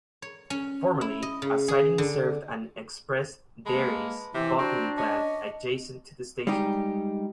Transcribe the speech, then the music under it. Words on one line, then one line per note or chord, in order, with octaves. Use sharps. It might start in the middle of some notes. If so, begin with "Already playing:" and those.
Formerly, a siding served an Express Dairies bottling plant adjacent to the station.
C#5
C#4
E4
D#5
C#3
G#4
D3
G#3 A#3 B4 A5 B5
C3 E3 E4
C4 D4 F#4 A#5 C#6 A#6
C#4 D#5 A5 D6 A#6
G3 G#3 D#4 G4